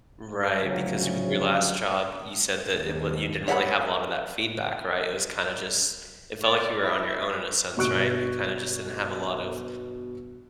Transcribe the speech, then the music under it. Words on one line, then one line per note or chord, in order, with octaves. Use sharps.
Right, because you with your last job, you said that it wa you didn't really have a lotta that feedback, right? It was kinda just it felt like you were on your own in a sense, right? You kinda just didn't have a lot of
D2 C#3 F3 F#3 C#4
D#2
C#5 E5 F#5 A5 B5
D5
E4
G1 B2 C#6 F#6 D7